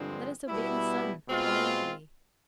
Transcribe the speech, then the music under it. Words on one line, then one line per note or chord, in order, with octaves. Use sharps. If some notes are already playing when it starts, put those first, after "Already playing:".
Let us obey the sun blindly.
Already playing: G2 D3 F3 G#3 C4
B2 G3 B3 E4
B2 G#3 C4 F4